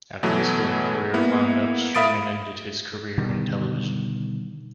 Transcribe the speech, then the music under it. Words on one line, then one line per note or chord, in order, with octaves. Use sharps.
After his film career wound up, Sherman ended his career in television.
B2 E3 F#3 A3 B3
A#3 B3 E4
E5 F5 B5 D#6 A6 D7
B2 D3 D#3 G3